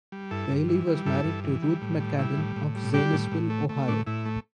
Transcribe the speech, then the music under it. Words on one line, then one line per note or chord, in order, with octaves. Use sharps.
Bailey was married to Ruth McCaddon of Zanesville, Ohio.
G3
G2 E4 A4
G2
E3
G3
G2 E4 A4
G2
E3
G3
A2
G3
G3 E4
A2
A2
G3
G3 D4 G4
A2
A2
A3
A3
A2 D4
A2 E4
A3